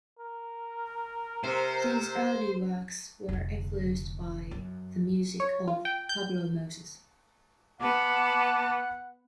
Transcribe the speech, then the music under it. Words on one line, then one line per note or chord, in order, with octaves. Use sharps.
These early works were influenced by the music of Pablo Moses.
A#4
C3 C5
F1 D3
F#2
C#5
F4
G5
G6
B3 F#5 A5 D6